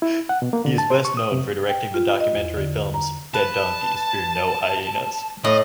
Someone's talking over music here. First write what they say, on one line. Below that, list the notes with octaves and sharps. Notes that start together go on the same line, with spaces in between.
He is best known for directing the documentary films "Dead Donkeys Fear No Hyenas".
E4
F#5
B2
A#3
D3
A5
C5
C#6
D#6
C3
G5
F4
D#5
E2
D3
A#5
B4 A5
A2 D#5